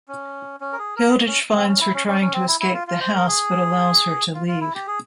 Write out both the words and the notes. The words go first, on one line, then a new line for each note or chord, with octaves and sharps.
Hilditch finds her trying to escape the house but allows her to leave.
C#4
C#4
A#4
G#4
A#4
C#4
C4
C#4
E4
C#4
C#4
C#4
C4
E4
E4
F4
F4
C5
A#4
G#4
F4
F4
E4
G4
G#4